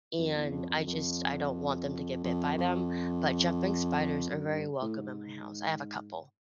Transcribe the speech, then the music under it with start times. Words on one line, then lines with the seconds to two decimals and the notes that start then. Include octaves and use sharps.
and I just I don't want them to get bit by them. But jumping spiders are very welcome in my house, I have a couple.
0.18 F2
0.35 E2
0.52 F2
0.69 F2
0.87 F2
2.24 F2
2.58 F2
4.30 F#2
4.47 G2
4.81 A2
4.99 G#2